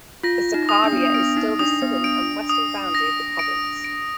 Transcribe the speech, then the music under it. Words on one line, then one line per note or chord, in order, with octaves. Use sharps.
The Sakarya is still the southern and western boundary of the province.
F4 A#6
D#4
D#6
D4
B3
D4
B3 D7
D#4
D4 D#6
B3
D4 D7
D#6
A#6
D7
D7